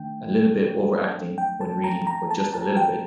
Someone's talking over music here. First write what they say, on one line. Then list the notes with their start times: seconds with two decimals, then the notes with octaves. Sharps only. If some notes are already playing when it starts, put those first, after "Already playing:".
A little bit "overacting" when reading, but just a little bit!
Already playing: D#3 A3 D4 G5
1.38 G5
1.61 A5
1.84 A#5
2.07 A#5
2.31 A5
2.54 A5
2.77 G5